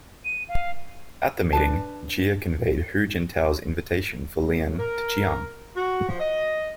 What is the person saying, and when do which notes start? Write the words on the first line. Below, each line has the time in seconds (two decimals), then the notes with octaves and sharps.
At the meeting, Jia conveyed Hu Jintao's invitation for Lien to Chiang.
0.25 D#7
0.48 F5
1.53 D4 B4 A5
4.37 A2
4.78 A#4
5.75 F#4
6.07 F3
6.19 D#5